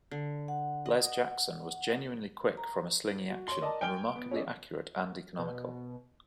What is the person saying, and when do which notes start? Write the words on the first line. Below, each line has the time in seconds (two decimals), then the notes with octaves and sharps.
Les Jackson was genuinely quick from a slingy action, and remarkably accurate and economical.
0.11 D3
0.48 F#5
0.86 D#5
2.57 A#5
3.30 F#4
3.48 C#5 C6
3.61 A#4 D5 D#5 A5
3.81 G5 G#5 F6 D7 G7
4.16 B3
4.31 C#4 E4 G#4 D5 D#5
5.38 B2